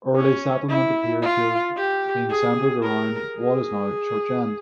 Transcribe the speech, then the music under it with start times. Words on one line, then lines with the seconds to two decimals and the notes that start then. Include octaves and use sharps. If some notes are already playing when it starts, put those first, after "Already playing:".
Early settlement appears to have been centred around what is now Church End.
0.16 C#4
0.70 E4
1.22 F4
1.77 G4
2.30 G#4
2.84 A#4
3.38 G#4